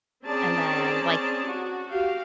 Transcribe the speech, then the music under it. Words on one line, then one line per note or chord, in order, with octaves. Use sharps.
And then, like,
C4 C#4 G#4 D5 A5 A#5
F#4
F#4 G4 F5